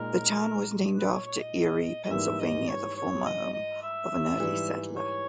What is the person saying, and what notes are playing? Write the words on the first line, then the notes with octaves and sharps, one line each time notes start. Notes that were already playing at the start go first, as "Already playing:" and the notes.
The town was named after Erie, Pennsylvania, the former home of an early settler.
Already playing: A#2 G#3 D#4 A#4
B4
C#5
C#5
D#5
D#5
G#2 E3 G3 A#3 E5
D#5
C#5
C#5
D#5
D#5
E5
G#2 E3 G3
C#5